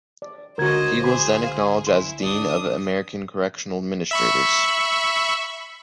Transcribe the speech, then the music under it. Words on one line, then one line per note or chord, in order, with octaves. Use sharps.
He was then acknowledged as Dean of American Correctional Administrators.
D5
C#2 D3 F#4 A#4 C5 D#5 G#6
G#4 C5 B5 C6 D6
G#4 F5
E4 C6
D4 D#6
E5 B5 C#6